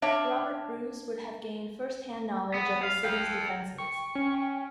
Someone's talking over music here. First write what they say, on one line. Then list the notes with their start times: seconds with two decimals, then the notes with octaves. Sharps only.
Robert Bruce would have gained first-hand knowledge of the city's defences.
0.02 D4 C#5 E5 F5
2.54 B3
2.83 F5
3.05 F5 G5
3.78 G5 C#6
4.15 C#4